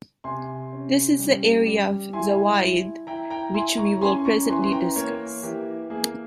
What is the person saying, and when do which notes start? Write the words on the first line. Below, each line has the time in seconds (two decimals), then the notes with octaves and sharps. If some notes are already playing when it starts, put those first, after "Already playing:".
This is the area of Zawa'id which we will presently discuss.
0.24 C3 G#5 C6
0.72 C#4
1.19 G3
1.66 G3
2.13 E4 G#5 C6
2.61 E4
3.07 E4 G5 A#5
3.30 G5 A#5
3.54 E4 G#5 C6
3.78 A#5 C#6
4.01 C#4 G#5 C6
4.25 A#5 C#6
4.49 E3 G#5 C6
4.62 C6
4.72 G5 A#5
4.96 A#3 A#4 C#5
5.43 E3 G4 A#4
5.90 A#3 G#4
6.03 A#4